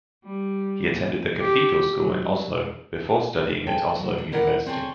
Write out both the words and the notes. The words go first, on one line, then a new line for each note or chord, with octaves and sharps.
He attended the Cathedral School in Oslo before studying at Oslo University.
G3
A#2
G4
F#3
G#4 A4 G5 A5
F#3
D4
E4 A#4 D5 F#5
C4 D4 G#4 A4 C#5